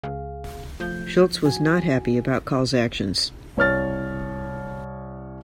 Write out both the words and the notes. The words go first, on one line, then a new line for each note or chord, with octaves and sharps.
Schultz was not happy about Coll's actions.
C#2 G#4 F5
F3 A3 G6
F#4 G#5
C2 C#5 F6 A6